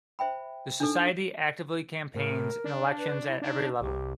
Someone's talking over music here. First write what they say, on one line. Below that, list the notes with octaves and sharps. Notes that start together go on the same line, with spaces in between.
The society actively campaigns in elections at every level.
C5 E5 G5 B5
D4 D#4 A4
A2 A#4
D4
B4
E4
D4 D#4
C2 G4